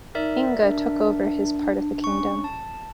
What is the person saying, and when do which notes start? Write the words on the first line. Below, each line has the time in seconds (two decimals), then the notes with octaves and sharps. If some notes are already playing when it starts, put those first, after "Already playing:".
Inge took over his part of the kingdom.
0.15 D#4 A#4 D5 E5
0.61 D4
2.04 C#4 C#6
2.44 A5